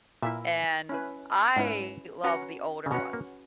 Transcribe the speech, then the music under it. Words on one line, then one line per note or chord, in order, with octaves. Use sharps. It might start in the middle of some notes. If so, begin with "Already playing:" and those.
and I love the older ones.
A#2 E4 A#4 E5
C#4 E4 B4
G#2 C#4 E4 B4
C#4 F#4 B4 F#5 A#5
C#3
B2 C#4 F#4 B4 F#5 A#5
A#3